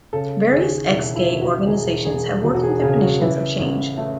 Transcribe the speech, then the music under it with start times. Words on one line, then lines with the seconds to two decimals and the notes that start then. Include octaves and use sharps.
Various ex-gay organizations have working definitions of change.
0.13 C#3 A4
0.52 D#2 G#4
0.90 E1 E4
1.16 E4
1.29 D#2
1.41 F#4
1.67 E1 G#4
2.05 E1 G#4
2.44 E1 F#4
2.55 F#4
2.63 G#4
2.82 C#3 G#4
3.02 F#4
3.21 E3 E4
3.59 A1
3.97 A3